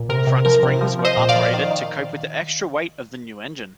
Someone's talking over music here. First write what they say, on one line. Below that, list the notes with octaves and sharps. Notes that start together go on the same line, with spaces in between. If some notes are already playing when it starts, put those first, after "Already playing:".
Front springs were uprated to cope with the extra weight of the new engine.
Already playing: A#2
C3 A#4
C3
F3 A#4
C3
F3
F3
C5 D#5
A#2
D5 F5
F3
D#3
D#3